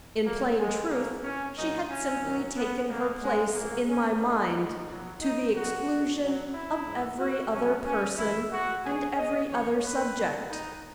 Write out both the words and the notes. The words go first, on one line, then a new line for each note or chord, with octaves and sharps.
In plain truth, she had simply taken her place in my mind, to the exclusion of every other person and every other subject.
B2 F#3 A#3
G#3
B2 F#3 A#3
C#4
A#2 F#3 D#4
C#4
F#2 D#3 F#3
B3
B2 F#3 A#3
G#3
A#2 F#3 A#3
C#4
A#2 F#3 D#4
B2 F#3
D#4
A#2 F#3 F#4
B2 F#3
E4
G#2 E3
F#4
B2 F#3 C#4
C#4
F#2 E3 E4
F#4
B2 F#3 G#4
D#5
F#2 E3 C#5
B4
B2 F#3
D#4